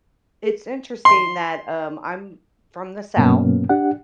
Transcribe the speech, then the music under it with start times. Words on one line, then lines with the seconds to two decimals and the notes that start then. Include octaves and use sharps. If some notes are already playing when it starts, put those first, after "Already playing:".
it's interesting that, um, I'm from the South,
1.05 C6
3.17 G2 B2 F#3 A#3 B3 C#4
3.69 D4 G4 F#5